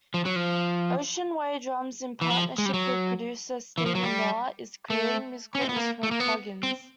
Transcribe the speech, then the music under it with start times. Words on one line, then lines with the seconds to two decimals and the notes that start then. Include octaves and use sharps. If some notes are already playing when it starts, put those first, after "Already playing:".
Ocean Way Drums, in partnership with producer Steven Miller, is creating musical instrument plugins.
0.14 F3
0.26 F#3
0.36 F3
2.21 E3
2.30 F3
2.58 G#3
2.66 G3
2.74 F#3
3.78 E3
3.86 F3
3.95 F#3
4.03 G3
4.90 A3
5.55 C#4
5.61 C4
5.69 B3
5.76 A#3
6.03 A3
6.11 A#3
6.20 B3
6.63 C4